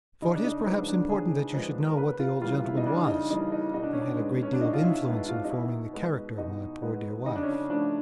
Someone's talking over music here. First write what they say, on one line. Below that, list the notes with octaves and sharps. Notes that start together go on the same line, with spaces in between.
For it is perhaps important that you should know what the old gentleman was; he had a great deal of influence in forming the character of my poor dear wife.
C#3 D#4
D4
D#4
F3 G#3 B3 D4
D4
C#3 G#4
F3 G#3 B3
A#4
C#3 B4
F4
E3 G3 A#3 F4
E4
D#4
C#3 D4
D#4
E3 G3 A#3 D#4
D#4
B2 D#4
D4
C#4
D4
G#3 B3
C#4
D4
B2 D#4
F4
E4
G#3 B3 E4
F4
D#4
B2 E4
G#3 B3
B2 D#4
G#3 B3
C#3 D#4
D4
C#4
D4
F3 A3 D4